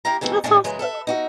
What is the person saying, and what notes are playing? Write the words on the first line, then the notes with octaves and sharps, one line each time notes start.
That's awesome.
E4 G4 F5 A#5
G#2 B2 E3 A3 C4
A2 D3 D#3 G#3 C#4 D4
F#2 C#3 E3 G#3
A4 B4 E5
D#4 F#4 E5